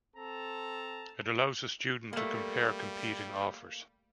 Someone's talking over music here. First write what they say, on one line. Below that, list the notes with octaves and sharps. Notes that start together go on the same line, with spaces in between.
It allows a student to compare competing offers.
C4 A4 A5 A#5
G3 A3 A#3